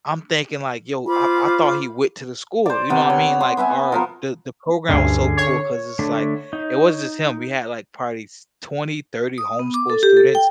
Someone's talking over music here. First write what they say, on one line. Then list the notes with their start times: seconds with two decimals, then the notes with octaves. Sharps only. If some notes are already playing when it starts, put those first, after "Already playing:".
I'm thinking, like, yo, I I thought he went to the school. You know what mean? Like, our the the program was so cool 'cause it's, like, it wasn't just him. We had, like, probably s twenty, thirty homeschool students
1.06 F4 C5 B5 D6
2.66 C5 D5
2.90 C3 B3
3.10 C#5
3.41 C6
3.57 B3 B4 E5 G#5
3.92 F3 B3 A#4
4.89 D2 G2 D3 C#4 G#4
5.37 C#5
5.99 D3 A3 D4
6.53 D#4
9.38 D#6
9.59 B3
9.74 D6
9.90 A4
10.03 G4
10.17 A4
10.35 G5